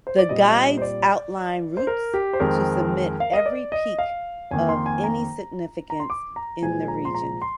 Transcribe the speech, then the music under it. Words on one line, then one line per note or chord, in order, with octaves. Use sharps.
The guides outline routes to summit every peak of any significance in the region.
C5
D5
A#2 G3 C4 D#5
C5
D5
C5
A#4
G4
C5
F2 D#3 G#3 C4 A#4
F5
D#5
D5
D#5
F5
F2 D#3 A#3 G#5
C6
G#5
A#5
A#5
C6
D6
A#5
A#2 F3 G#3 G#5
A#5
C6
A#5
C6